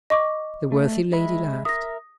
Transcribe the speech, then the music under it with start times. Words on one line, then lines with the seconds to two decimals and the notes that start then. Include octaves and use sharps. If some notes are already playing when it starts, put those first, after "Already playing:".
The worthy lady laughed.
0.10 D#5 C#6 D6
0.72 A3
1.13 G#3 E5 B5
1.65 A#4 E5 D#6 A#6